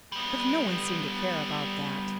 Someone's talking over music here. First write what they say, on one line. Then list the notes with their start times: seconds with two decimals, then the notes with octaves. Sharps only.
But no one seemed to care about that.
0.12 G3 B3